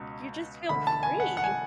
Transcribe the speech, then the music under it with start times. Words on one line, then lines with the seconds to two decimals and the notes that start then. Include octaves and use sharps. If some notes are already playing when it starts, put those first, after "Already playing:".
You just feel free.
Already playing: C#2 B2
0.69 E1 D2 D3 B5
0.87 A5
1.03 G#5
1.20 F#5
1.37 F#5
1.44 G#5